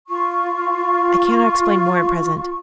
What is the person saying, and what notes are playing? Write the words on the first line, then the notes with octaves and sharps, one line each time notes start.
I cannot explain more at present.
F4 C#6